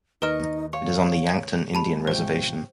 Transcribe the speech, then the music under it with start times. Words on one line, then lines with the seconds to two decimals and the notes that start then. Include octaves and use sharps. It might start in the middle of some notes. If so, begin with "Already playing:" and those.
It is on the Yankton Indian Reservation.
0.22 D#2 D#4 A#4 B4 D#5 A#5 C#6 F6
0.73 C#5 F5
1.74 G#3 G4 A5 B5
2.07 A1 C3 F3 C5 G5 C#6